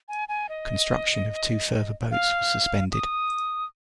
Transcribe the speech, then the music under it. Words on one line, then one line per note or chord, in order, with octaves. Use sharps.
Construction of two further boats was suspended.
G#5
G#5
D#5
F5
D#6